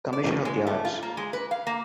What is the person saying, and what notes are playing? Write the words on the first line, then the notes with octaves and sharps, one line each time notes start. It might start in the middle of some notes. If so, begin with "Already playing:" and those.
Commission on the Arts.
D5
C#4
G#3
A3
F4
A#3
G#3
B4
F5
A#3